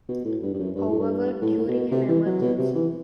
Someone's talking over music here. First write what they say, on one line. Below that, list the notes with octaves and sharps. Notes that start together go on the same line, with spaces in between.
However, during an Emergency!
B2
A2
G2
G2
F#2
G2
A2
G2
A2
A2
B2
C3
E3
F#3
B2
C3
E3